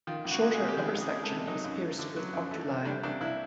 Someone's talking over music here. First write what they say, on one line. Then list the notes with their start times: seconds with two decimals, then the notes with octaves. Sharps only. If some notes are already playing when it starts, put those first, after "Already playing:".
The shorter upper section is pierced with oculi.
0.07 D#3 F4
0.25 C#2
0.31 F#4
0.42 G#3
0.54 G#4
0.59 C3
0.68 G4
0.77 D#3 G#4
0.95 C#2
1.01 G#4
1.12 G#3
1.24 A4
1.29 C3
1.47 F#3 D#4
1.64 F#2
1.82 A3
1.99 D3
2.16 F#3
2.33 F#2
2.51 A3
2.69 D3
2.85 G3 D4
3.03 C2 D4
3.21 C2 E4